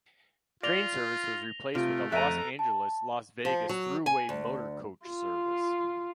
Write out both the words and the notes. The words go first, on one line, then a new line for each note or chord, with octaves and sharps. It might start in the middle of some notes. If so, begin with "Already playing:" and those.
Train service was replaced with a Los Angeles-Las Vegas Thruway Motorcoach service.
F4 D5 A#6 F7 G7
C3 A3 F4 F6 A#6 D7
F2 A4 E5 A#5 F#6 D7 D#7
A5
F3
F#3
G#5
D2
F4